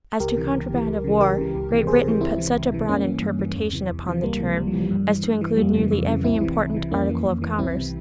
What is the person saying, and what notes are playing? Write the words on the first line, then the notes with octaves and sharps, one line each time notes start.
As to contraband of war Great Britain put such a broad interpretation upon the term as to include nearly every important article of commerce.
C#2 G4 A#4
C3 E3
C#2
C3 E3
C#2
C#3 E3
C#2 G4 A#4
C#3 E3
C#2
C3 E3
C#2 G#4 C5
C3 E3
C#2 C4 E4
C3 E3
C#2
C3 E3
G2 A#3 C#4
E3
G2
E3
E2
C3 E3
E2
C3 E3
C#2 G3 A#3
C3 E3
C#2 G3
F3
C3 E3
G3
G2
E3
G2
E3
F2 G3 A#3
C#3 E3
F2
C#3 E3
C2 C4 E4
C3 E3
C2
C3 E3
F2 A#3 C#4
E3
F2
E3
C2 C4 E4
C3 E3